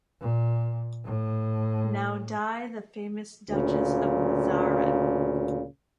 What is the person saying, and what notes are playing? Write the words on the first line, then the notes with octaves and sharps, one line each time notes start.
Now died the famous Duchess of Mazarin.
A#2
A2
D2 A#2 C#3